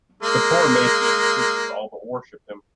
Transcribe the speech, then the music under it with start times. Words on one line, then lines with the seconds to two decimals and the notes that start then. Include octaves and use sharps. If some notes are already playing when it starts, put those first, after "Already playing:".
The poor emaciated creatures all but worshipped him.
0.23 G#3 A#3